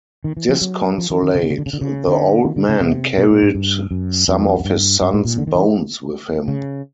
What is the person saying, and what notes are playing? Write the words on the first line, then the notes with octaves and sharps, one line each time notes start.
Disconsolate, the old man carried some of his son's bones with him.
D#3
E3
F3
F#3
F3
E3
D#3
C#3
D3
C#3
D3
C#3
D3
C#3
D3
D#3
D3
C#3
C3
B2
A#2
G#2
G2
F#2
F2
F#2
G2
G2
A2
A#2
D3
D#3
E3
C#3